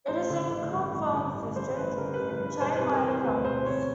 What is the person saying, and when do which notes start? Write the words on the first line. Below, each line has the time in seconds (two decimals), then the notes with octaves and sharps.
It is in Chom Thong District, Chiang Mai Province.
0.08 A1 C5
0.30 D3
0.50 A1
0.72 G2
0.92 A1
1.13 D3
1.34 A1
1.56 G2 C5
1.76 A1 B4
1.98 D3 A#4
2.13 B4
2.19 A1
2.29 B4
2.39 G2
2.45 B4
2.61 E1 C5
2.76 B4
2.82 C3
2.92 A#4
3.03 E3 C5
3.23 D2 B4
3.45 E1 C5
3.66 C3 C#5